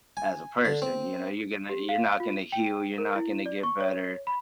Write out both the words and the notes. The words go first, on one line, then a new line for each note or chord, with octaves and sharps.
as a person, you know? You're gonna you're not gonna heal. You're not gonna get better.
G#5
D3
C4
G4
F5
F4
D#7
G5
A#4
E4
D5
C#6
C#5
B5